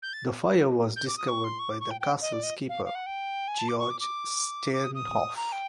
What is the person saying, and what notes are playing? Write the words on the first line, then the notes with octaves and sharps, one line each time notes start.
The fire was discovered by the castle's keeper, Georg Stiernhoff.
G6
A6
G6
D6
D#6
C#6
C6
C#6
D6
C#6
G5
G5
D#5
D5
D#5
F5
F5
F#5
G5
G#5
A5
D6
C#6
D6
D6
D6
D#6
D#6
A#5
G5